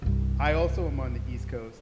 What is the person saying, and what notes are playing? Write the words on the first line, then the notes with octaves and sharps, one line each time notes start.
I also am on the East Coast, t
C2 G2